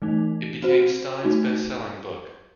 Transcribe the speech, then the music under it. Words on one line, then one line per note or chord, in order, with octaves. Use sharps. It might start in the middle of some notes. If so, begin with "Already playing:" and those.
It became Stein's best-selling book.
E3 A3 D#4
C4 F#4 C5
A3 D#4 F#4